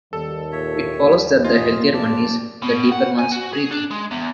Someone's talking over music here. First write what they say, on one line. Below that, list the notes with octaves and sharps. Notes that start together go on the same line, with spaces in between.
It follows that the healthier one is, the deeper one's breathing.
D#2 G3 A4
A#2 C#5 E5
G3
E2 F4 G#4 D#5
F1 D5 A5
B2
F#5
G#5
F#4
G#4
D4
G#3
E2